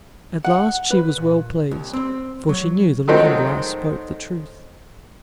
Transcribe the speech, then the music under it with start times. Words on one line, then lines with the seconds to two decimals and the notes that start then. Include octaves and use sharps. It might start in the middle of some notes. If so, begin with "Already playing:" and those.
At last she was well pleased, for she knew the Looking-glass spoke the truth.
0.45 F#5
0.91 B4
1.18 A#2
1.71 C2
1.93 C4
2.49 F#3
3.08 D#3 F#3 G#3 A3 C4 D#4